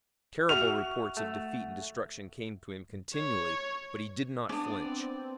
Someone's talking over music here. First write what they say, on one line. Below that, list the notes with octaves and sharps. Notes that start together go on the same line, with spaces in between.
Terrible reports of defeat and destruction came to him continually, but he did not flinch.
F#4 E5 F6 F7
A3
C#5
B3 C#4 D4 D5 D#6
C4